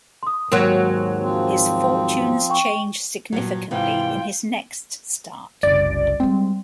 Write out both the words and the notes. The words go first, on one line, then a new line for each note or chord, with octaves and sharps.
His fortunes changed significantly in his next start.
C6 D#6
D#2 G#2 F#3 A#4 G5 C6
F3 C4
G5 C#6
G2 A#2 F#3
G#2 C3 E3 F4 G5
F#1 C2 D5
G3 G#3 C4